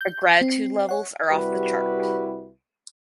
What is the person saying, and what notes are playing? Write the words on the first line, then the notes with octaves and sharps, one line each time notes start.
Our gratitude levels are off the chart.
G6
C4
C#5 F#5
C2 G3 E4 F#4 G4 B4